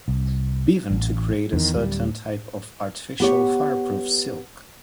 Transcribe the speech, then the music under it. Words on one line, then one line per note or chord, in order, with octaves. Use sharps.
Bevan to create a certain type of artificial fireproof silk.
C2
A1
E2 D#3
D1 G3
B3 G4 C#5